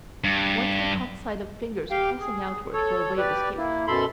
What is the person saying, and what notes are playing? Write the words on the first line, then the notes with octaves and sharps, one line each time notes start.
Once they caught sight of fingers pressing outward for a way of escape.
G2
G4 F5 G5
G#4
A4 C#5
G4 B4 D5
A#3 E4
F#2 B2 A4 B5 C6